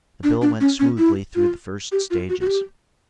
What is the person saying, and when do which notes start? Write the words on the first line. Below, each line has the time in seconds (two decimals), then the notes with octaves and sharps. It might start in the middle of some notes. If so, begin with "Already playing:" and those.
The bill went smoothly through the first stages.
0.24 D4
0.42 D4
0.60 C#4
0.79 C#4
0.98 E4
1.35 F4
1.92 G4
2.11 F4
2.29 F#4
2.41 F#4
2.47 G4